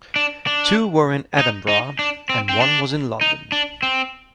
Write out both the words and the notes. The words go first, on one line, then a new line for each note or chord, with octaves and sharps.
Two were in Edinburgh and one was in London.
D4
D4
D#4
D#4
D4
C4
C4
D4
D#4
D4
C4